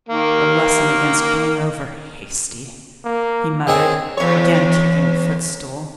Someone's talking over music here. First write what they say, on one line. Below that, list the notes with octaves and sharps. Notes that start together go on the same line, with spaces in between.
'A lesson against being over-hasty,' he muttered, again kicking the footstool.
D#3 A#3
A#3
D#3 C4 G#4 C#5
E2 C#5